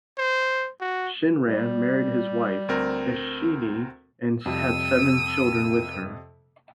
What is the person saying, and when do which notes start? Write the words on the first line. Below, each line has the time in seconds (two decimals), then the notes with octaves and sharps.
Shinran married his wife, Eshinni, and had seven children with her.
0.18 C5
0.81 F#4
1.48 G3
2.68 D2 C4 A#4
4.46 F2 C3 G3 E6 D#7